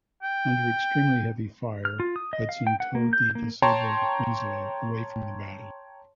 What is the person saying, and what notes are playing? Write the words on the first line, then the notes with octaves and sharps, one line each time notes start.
Under extremely heavy fire, "Hudson" towed the disabled "Winslow" away from the battle.
G5
F6
F4
D#6
D#5
F5
G5
F#5
A#3
G6
A#3
C#5 G5 A5 A#5 C6